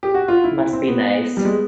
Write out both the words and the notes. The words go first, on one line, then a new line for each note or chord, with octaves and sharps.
must be nice.
G4
F#4
F4
E4
E4
C4
B3
G3
G#3